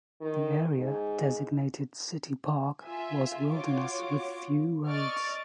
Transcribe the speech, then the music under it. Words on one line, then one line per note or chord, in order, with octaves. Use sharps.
The area, designated "City Park", was wilderness with few roads.
D#3
G#2
F4 E5 G#5
F4 F#4 C#5 D6
D5 D#5 C#6 F6 A6 D7